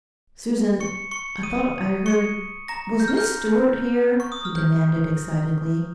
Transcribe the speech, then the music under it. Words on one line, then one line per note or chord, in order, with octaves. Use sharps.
"Susan, I thought I heard--WAS Miss Stewart here?" he demanded excitedly.
C#6 C#7
C#6 C#7
D#6 D#7
C#6 C#7
A#5 A#6
G6
F6
G6
C#6
D#6
F6
G6